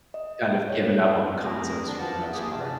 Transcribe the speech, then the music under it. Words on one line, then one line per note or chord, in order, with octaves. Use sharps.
kind of given up on consoles for the most part,
D#5
C#5
A3 C4 E4 G4 G#4 A#4
D#3 F3 G#3 D4
B4 C5 F5 F#5 A5
A#3 E4 F4 G4 G#4
G2 C3 C#4 A5